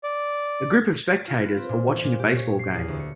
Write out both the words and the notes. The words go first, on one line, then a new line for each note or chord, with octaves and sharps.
A group of spectators are watching a baseball game.
D5
F4
B4
C4
A#2
E3
A#2
G4
C#5
C7
E2
D2
C#7